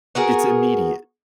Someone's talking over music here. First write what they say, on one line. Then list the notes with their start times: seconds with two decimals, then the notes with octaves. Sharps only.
It's immediate.
0.15 B3 F#4 G#4 A#4